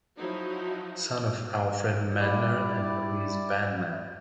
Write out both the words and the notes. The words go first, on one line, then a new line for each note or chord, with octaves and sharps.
Son of Alfred Meidner and Elise Bandmann.
F3 F#3 D#4 E4 F#4
G3 E4 D5